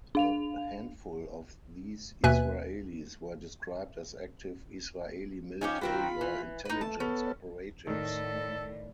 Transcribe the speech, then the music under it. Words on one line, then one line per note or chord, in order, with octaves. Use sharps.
A "handful" of these Israelis were described as active Israeli military or intelligence operatives.
D4 F5 F7
D#2 B2 B4 E5 G#5 F#6
F3 C#4 D#4 G4 G#5
D#3 C4 F4 F#4 B5
E3
D#4 B4
A3 A5
B3 C#4 A4
A2 D#3 A4 D5